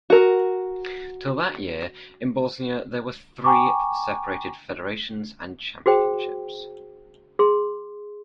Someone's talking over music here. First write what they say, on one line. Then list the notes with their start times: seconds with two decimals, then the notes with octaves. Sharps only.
Till that year, in Bosnia there were three separated federations and championships.
0.10 F#4 A#4
3.44 G5 G#5 A#5 C#6 D6
5.86 F#4 G#4 C5 G5
7.39 G#4 C6